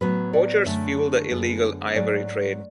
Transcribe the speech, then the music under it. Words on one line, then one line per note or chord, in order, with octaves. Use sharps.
Poachers fuel the illegal ivory trade.
A2 F#3 B3 B4
D5
F#2 D3 A3 E5
F#2 D3 G#3 B3
G#2 F#3 A3 D5